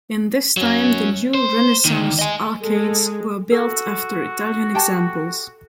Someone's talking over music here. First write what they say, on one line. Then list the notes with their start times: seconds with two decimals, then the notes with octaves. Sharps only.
In this time the new Renaissance arcades were built after Italian examples.
0.57 F#3 C#4
1.34 C5
1.85 D2 D#3
2.19 D#5 G#5
2.63 G#3 A4
3.52 F#4 A4
4.74 G4 G5 A5